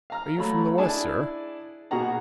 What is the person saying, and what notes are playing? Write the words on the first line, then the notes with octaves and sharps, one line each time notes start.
Are you from the west, sir?
F5 A#5 F6
F#3 A3 B5
D4 E4 G#4 D5 G#5 A5
B2 A#3 F#4 G#4 F#5 A#5